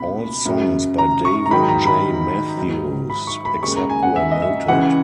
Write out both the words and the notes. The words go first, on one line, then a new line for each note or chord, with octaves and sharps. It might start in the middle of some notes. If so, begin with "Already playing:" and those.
All songs by David J. Matthews, except where noted.
Already playing: C#2 B2 B5
F#2 C#3 F#3
A#5
C#6
A#5
G#2 D#3 F#3 B5
A#5
B5
G#2 F#3
B5
C#6
B5
D#2 C#3 G#3 C#6
A#5
G#5
F#5
E5
D#5
E5
C#2 C#3 E3 F#5